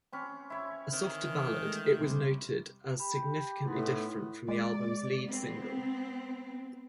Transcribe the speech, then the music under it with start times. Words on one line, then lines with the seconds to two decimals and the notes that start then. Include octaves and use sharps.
A softer ballad, it was noted as significantly different from the album's lead single.
0.13 C4 C#4 G5 B5 C6
0.50 E4 C#5
0.92 D3 D#3 C4
1.23 E3
1.62 G#3 A3
1.97 C3 G3
3.00 G4 B5
3.66 A2 B3 D#4 E4 C6
4.48 G#3 D5
5.24 B3 C4